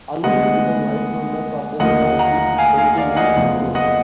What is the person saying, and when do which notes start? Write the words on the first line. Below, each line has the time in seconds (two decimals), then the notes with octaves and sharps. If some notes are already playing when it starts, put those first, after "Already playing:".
Alumni become life members of the Society when they leave the school.
0.24 D2 D3 G#3 B3 D#5 F#5
1.80 D#2 D3 F3 A#3 D#5 F#5
2.19 F#5 A#5
2.58 F5 G#5
2.77 F5 G#5
2.97 D5 F5
3.16 D#5 F#5
3.36 F#1 F2 F3 B3
3.75 D#5 F#5